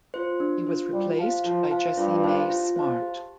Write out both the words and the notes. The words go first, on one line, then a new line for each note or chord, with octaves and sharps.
He was replaced by Jessie May Smart.
F4 C5
D4
F4 C5
G3 F4
C5 F5 A5
F3 F4
C5 F5 A5
G2 F4
C5 F5 A5
F4
C5 F5 A5
G4